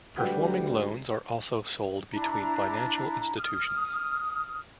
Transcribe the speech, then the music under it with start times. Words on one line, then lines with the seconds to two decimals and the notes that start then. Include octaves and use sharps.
Performing loans are also sold between financial institutions.
0.17 D2 G3 F#4 B4 G5
2.12 D4 E4 A#5
3.37 D#6 F6